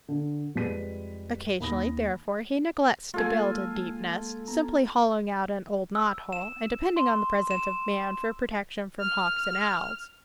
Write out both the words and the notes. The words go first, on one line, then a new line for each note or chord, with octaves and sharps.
Occasionally, therefore, he neglects to build a deep nest, simply hollowing out an old knot-hole, and depending on the presence of man for protection from hawks and owls.
D3
F2 G3 G#3 B4 B6 D#7
D#2 B5 D#6 A#6
G#3 A#3 F4 A4 G#5
B3 A#5
E6
E7
C6
E7
F6